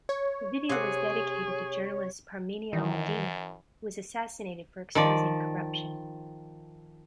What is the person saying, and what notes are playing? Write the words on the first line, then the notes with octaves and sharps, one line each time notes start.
The video was dedicated to journalist Parmenio Medina, who was assassinated for exposing corruption.
C#5
C3 G#4 F#5
F#2 D#3 E3
D#3 F3 D5